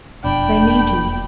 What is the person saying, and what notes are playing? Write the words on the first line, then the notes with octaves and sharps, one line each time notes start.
They need you.
E1 F2 B2 D4 G5 B5